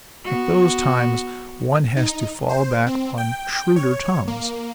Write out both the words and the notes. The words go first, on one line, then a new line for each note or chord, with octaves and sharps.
At those times one has to fall back on shrewder tongues.
B3 F#4
D#4
C5
C4
G5
C#5
A#3